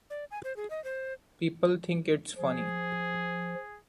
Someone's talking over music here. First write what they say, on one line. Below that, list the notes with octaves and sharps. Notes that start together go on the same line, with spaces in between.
People think it's funny.
D5
G#5
C5
G#4
D#5
C5
F3 G#4